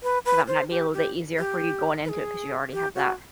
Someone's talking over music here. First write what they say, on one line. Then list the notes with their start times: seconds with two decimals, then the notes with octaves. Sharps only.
So that might be a little bit easier for you going into it 'cause you already have that
0.03 B4
0.26 B4
0.48 C5
0.70 G4
0.93 G4
1.38 G4
2.05 B4
2.09 G#4
2.73 G4
2.95 F#4